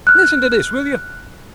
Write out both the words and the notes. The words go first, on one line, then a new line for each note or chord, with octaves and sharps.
Listen to this, will you?
F6 F#6